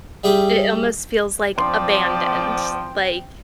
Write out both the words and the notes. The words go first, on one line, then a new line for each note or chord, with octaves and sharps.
It almost feels, like, abandoned, like
G3 E4 G#4 G5 D6
F3 C4 D5 G5 C6